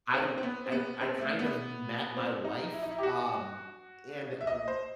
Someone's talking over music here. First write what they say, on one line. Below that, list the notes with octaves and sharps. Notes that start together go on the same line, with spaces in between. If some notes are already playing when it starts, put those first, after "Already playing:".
I'm um, I I kind of met my wife, um, and, um
C4
C4
B3
C4
B3
C4
A3
B3
C4
D#4
E4
D#4
E4
G4
F#4
E5
D#5
C5